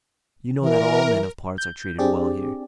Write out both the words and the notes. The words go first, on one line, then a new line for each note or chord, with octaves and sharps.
You know that all men of parts are treated well here.
E3 A#4
G6
C4 D4 G4 G#4 D5